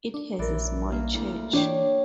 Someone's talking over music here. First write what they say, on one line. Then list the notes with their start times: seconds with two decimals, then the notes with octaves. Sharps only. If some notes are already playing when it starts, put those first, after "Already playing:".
It has a small church.
0.14 D4
0.39 A#1 E3 A#4 D5
0.92 A#3
1.14 D2 E4
1.53 E3 D4 C#5 G5